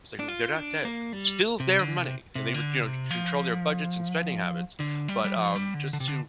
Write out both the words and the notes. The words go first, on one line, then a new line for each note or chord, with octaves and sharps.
Say who? They're not dead. It's still their money, and they would, you know, control their budgets and spending habits, but, um, just to
D4
F4
D4
A#3
G3
C3
D3
C3
C3
D3
C3
F3
D3
G3
G3
F3
G3
D3
D3
C3
D3